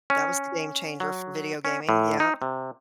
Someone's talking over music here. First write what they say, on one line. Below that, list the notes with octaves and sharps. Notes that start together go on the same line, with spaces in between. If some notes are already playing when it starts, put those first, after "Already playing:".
That was the game changer for video gaming, yup.
C#4
F#3
C#4
A2
D#4
C3